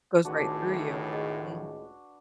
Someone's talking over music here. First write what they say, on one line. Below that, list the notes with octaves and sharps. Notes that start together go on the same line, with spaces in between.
Goes right through you, mhm.
C#2 A2 D#3 D4 F#4 B4
G#4 D#5